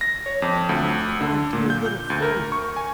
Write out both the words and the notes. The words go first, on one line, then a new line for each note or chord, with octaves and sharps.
My poor, dear little Fairy!
A#6
C#5
F2
D2
D3
A#2
G6
G6
D2
A#4
C#6
G#5